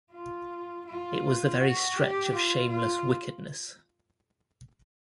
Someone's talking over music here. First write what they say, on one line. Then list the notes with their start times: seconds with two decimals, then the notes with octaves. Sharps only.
It was the very stretch of shameless wickedness.
0.12 F4
0.86 F4
1.60 F#4
1.96 G4
2.33 F4
2.69 F4